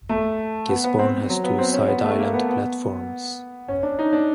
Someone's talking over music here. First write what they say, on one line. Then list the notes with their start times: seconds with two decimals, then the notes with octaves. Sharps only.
Gisborne has two side island platforms.
0.09 A3
0.69 B3
0.84 B3
0.99 C4
1.29 F#3
1.44 B3
1.59 C4
1.73 C#4
1.88 B3
2.04 A3
2.19 A#3
2.34 B3
2.49 B3
3.68 C#4
3.83 D4
3.99 D#4
4.13 D4